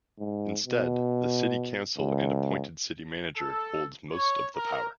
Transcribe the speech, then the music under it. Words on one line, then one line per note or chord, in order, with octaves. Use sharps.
Instead, the city council and appointed city manager holds most of the power.
G#2
B2
C#2
A4
C#5
A#4